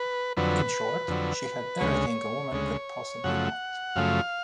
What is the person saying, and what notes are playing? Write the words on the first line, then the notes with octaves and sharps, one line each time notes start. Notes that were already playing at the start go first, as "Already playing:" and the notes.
In short, she had everything a woman could possibly want.
Already playing: B4
F2 D3 F#3 B4
F2 D3 F#3
D2 C#3 G#3 C#5
D2 C#3 G#3
F#2 C#3 F3 A3 F#5
F#2 C#3 F3 A3 F5